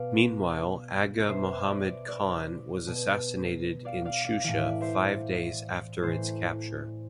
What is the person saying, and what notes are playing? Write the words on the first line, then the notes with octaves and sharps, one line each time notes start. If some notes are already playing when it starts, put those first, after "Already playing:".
Meanwhile Agha Mohammad Khan was assassinated in Shusha five days after its capture.
Already playing: B2 D5 F5
B2 C5 E5
D5
D5
B2
D5 F5
D5 F5
D5 F5
A2 E3 F5
E5
D5
C5 E5
A2 E3 C5